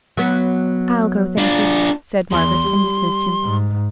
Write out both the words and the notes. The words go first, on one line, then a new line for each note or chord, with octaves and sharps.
"I'll go, thank you," said Margaret, and dismissed him.
F#3 B3
D4 F4
E2 C6
G3
G#2